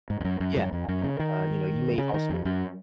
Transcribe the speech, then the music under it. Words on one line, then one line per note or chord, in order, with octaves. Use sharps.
Yeah, I think, uh, you know, you may also lean
G#2
F2
F#2
F#2
F#2
F2
F#2
C#3
D#3
C#3
D#3
F2
F#2